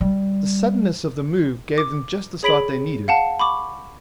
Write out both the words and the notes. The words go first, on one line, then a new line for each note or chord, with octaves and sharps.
The suddenness of the move gave them just the start they needed.
G3
D6
G#4 C#5 B5 B6 D7 F#7
F5 F#5 A5
B5 C#6 D6